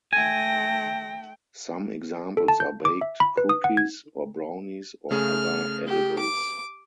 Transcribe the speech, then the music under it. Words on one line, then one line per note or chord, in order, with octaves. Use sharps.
Some examples are baked cookies or brownies or other edibles.
A3 G5 G#5 A#6
A4
A5
G6
D6
E5
B5
B4
D#6
F#5
G#6
C#3 A3 G#4 F6
G4
D6